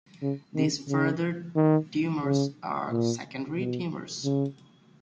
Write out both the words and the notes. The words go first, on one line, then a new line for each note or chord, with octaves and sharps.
These further tumors are secondary tumors.
C#3
D#3
C#3
D#3
C#3
A#2
B2
C#3